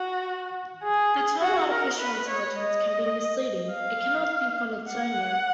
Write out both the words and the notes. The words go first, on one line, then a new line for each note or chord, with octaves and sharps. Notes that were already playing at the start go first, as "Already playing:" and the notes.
The term Artificial Intelligence can be misleading, it cannot think on its own yet.
Already playing: F#4
G#4
F#4
A#4
B4
C#5
D#5
F5
F#5